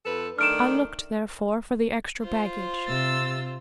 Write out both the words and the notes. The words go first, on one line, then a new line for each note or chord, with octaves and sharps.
I looked, therefore, for the extra baggage.
F2 A4 B4
D#3 A3 D4 F6 D7 E7
F4 C5
C3 E6 A6